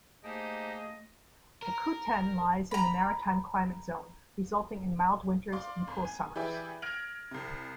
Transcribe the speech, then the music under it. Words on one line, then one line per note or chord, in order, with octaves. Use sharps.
Akutan lies in the maritime climate zone, resulting in mild winters and cool summers.
A3 A#3 D#4 G4 G#4 C5 D#5
A#4
A#5 B5
D5 F5 C6 D6
G#1
G#5
E3 G4 G#4 B4 D5 E5
F6 G#6 A#6 D7 F7 F#7
C2 C3